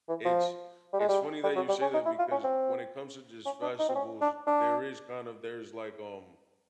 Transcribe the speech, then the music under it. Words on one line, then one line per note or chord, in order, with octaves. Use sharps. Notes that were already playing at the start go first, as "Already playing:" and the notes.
it's It's funny that you say that because when it comes to just festivals, there is kind of there's like, um
E3
F3
G3
G#3
G3
G3
F#3
G3
C#4
D#4
E4
F4
C#4
C4
C#4
D4
D#4
C4
C#4
D4
D4